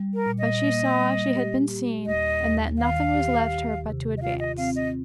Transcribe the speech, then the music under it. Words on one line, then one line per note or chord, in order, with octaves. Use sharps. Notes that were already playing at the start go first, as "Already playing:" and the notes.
But she saw she had been seen and that nothing was left her but to advance.
Already playing: G3
A#4
A#2
D#5
A#3
G3
G4
G4
D#2 D#5
D#2
D#3 F5
G4
G4
C3
D#5
F4 F5
D#5
C4 F5
D#5